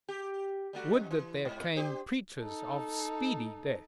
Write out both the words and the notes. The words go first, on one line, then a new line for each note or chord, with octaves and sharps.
Would that there came preachers of SPEEDY death!
G4
G3 A3 F#4
F2
E3
G#2
D4 G4 C5
D#4 A4